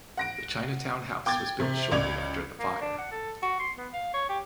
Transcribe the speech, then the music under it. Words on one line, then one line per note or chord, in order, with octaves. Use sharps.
The Chinatown House was built shortly after the fire.
F#5 A#6 D7
G5 D6 G#6 A6
C3
C#2 D5 G#6 F7
A#3
D4
F#5
A4
F#4
C6
B3
F5
C#5
G4